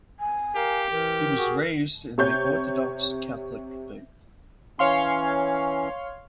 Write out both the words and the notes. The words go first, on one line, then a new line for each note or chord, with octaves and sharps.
He was raised in the Orthodox Catholic faith.
G#5
G4 A#4 F5
E3 A#4
F#4 G#4
C3 C#5 G6
E3 C#4 C#5 F5 C6